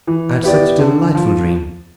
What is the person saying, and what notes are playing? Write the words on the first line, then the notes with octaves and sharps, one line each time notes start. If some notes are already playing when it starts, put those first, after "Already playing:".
I had such a delightful dream.
E3
B3 E4 G4 D5
D3
F3